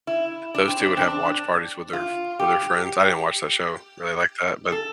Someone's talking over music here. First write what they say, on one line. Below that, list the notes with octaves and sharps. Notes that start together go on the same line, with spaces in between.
those two would have watch parties with their f with their friends. I didn't watch that show really like that, but
E4
D4
C4
D4
C4
D4
F4
G4
A4